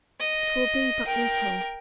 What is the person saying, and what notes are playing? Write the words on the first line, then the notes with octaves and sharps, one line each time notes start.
It will be but little.'
D#5
A#4 G5